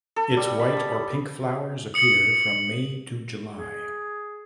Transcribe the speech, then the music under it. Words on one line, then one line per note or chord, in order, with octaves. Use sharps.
Its white or pink flowers appear from May to July.
A4
G3
B5
D#6
D#6 C#7 F#7
G#4